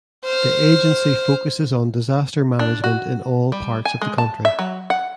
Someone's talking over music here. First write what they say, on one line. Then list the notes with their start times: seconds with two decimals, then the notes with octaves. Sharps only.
The agency focuses on disaster management in all parts of the country.
0.24 C5 F6
2.59 D4
2.84 F#4
3.52 G3
3.85 G#5
4.02 G#3
4.18 A5
4.45 E5
4.59 F#3
4.90 F#5